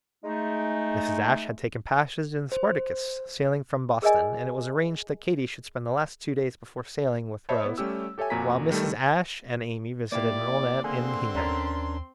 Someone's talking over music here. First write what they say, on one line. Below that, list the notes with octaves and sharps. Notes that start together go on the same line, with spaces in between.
Mrs. Ashe had taken passage in the "Spartacus," sailing from Boston; and it was arranged that Katy should spend the last two days before sailing, with Rose, while Mrs. Ashe and Amy visited an old aunt in Hingham.
G#3 A3 D#4
C5
G#4 A#4 D5 D#5 G#5
C5 C#5 D#5 E5 A5 B5
B3 E4
G3 A3 C#4 G4 E6
G4 A4 C#5 E5 G#5
F2 A#2 F#4 G#5 A#5 B6
D#3 G3 A3 A4
A#3 E4 G4 D5
D3 A#3 C4 G#4 C6
D#2 C#4 D4 A#4